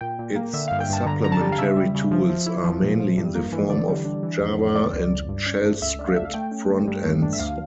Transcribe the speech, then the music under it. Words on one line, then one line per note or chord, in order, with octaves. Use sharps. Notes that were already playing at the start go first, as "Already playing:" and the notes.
Its supplementary tools are mainly in the form of Java and shell script front-ends.
A#2 G5
A#2
A#3
D3 E5
G2 F5
G5
G2 A5
D3 A#5
D3 A#5
A5
G3
F5
C#3 E5
G3
C#3
F3
F3
E4
F3
A#2
F3
G2
A#3
E3
D3 D5
G3
D4
E3
F2
F2
E3 D5
C#2
C#2
G2
C#4
A3
C#2 E5
D4
F5
D4 E5
F5
A3 G5
C#4
A3
G2
A3
D4
E5
D2 F5